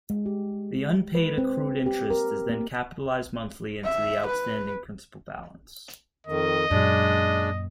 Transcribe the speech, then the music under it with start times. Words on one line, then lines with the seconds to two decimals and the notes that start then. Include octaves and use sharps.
The unpaid accrued interest is then capitalized monthly into the outstanding principal balance.
0.10 G#3
0.26 G4
1.15 B4
1.38 C4
1.86 G4
2.10 A#4
2.50 A#3
3.84 E5
4.26 B4
6.27 F2 D#3 D#5
6.71 F#2 A#2 G#3 D4 D5